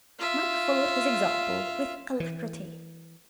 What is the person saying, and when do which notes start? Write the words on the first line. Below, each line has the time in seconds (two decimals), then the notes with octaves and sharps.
Mike followed his example with alacrity.
0.19 F4 E5
2.20 E3